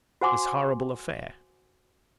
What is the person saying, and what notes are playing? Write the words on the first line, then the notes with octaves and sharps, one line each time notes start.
This horrible affair.
F#4 C5 F#5 G#5 C6 D6